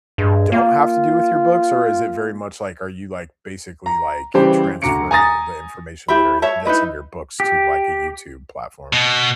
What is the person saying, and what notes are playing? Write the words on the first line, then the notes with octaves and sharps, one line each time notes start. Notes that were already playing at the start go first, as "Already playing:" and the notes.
don't have to do with your books? Or is it very much like, are you, like, basically, like, transferring the information that are in that's in your books to, like, a YouTube platform?
G2 G#3
A#3 F4
A#5
C#3 E3 G3 G4 C5
D2 F#4 A#5 D6 C#7 D7
G#5 A#5 D#6 A6 A#6
E4 G4 E5 B5
C#5 E5 A5
D#4 E4 B4 D#5
G4
B2